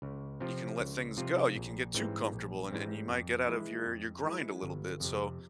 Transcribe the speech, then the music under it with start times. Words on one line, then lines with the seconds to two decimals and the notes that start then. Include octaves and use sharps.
you can let things go, you can get too comfortable and and you might get out of your your grind a little bit, so,
0.02 C#2
0.40 C3 F3 C4 F4
0.79 C#2
1.17 C3 F3 C4 F4
1.56 A#1
1.94 G#2 E3 G3 C4
2.32 A#1
2.70 G#2 E3 G3 C4
3.10 F2
3.47 E3 G#3 E4
3.86 F2
4.23 E3 G#3 E4
4.63 G1
5.00 F2 C3